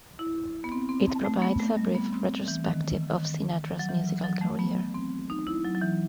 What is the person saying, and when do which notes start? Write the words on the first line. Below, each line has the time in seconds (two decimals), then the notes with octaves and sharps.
It provides a brief retrospective of Sinatra's musical career.
0.19 E4
0.64 B3
0.72 C4
0.89 C4
1.07 C4
1.24 A3
1.42 B3
1.60 A3
1.77 G3
1.95 B3
2.12 C4
2.48 E3
2.65 D#3
3.18 D#3
3.79 F#3
3.89 E3
4.24 F#3
4.41 A3
4.59 B3
4.94 C4
5.30 D#4
5.47 E4
5.65 F#3
5.75 F#3
5.82 E3